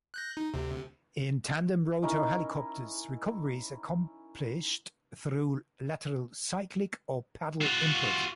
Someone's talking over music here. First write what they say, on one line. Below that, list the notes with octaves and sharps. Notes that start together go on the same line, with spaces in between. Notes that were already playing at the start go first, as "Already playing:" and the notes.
In tandem-rotor helicopters, recovery is accomplished through lateral cyclic or pedal input.
F#6 G6 A#6
D#4
D2 C3
C#4 D#4 E4 A#4
F4 F#4